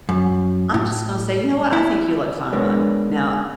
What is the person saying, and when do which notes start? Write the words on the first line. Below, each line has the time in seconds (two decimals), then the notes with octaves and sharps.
I'm just gonna say, "You know what? I think you look fine." Now,
0.09 F#2
0.74 A2
1.73 E4
2.53 G#3 B3 D4 A#4 C#5